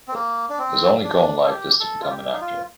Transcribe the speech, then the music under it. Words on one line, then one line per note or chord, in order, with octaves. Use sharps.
His only goal in life is to become an actor.
C4
A#3
D4
C4
D4
A4
G4
A4
F4
G4
D#4
F4